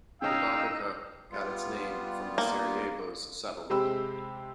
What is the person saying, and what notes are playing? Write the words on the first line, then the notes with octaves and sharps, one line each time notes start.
Grbavica got its name from the Sarajevo's settlement.
C#3 C#4 D#4 F5 G5 A#5 E6
G3 B3 F4
A#3
C3 G#3 C4 G4 B5 E6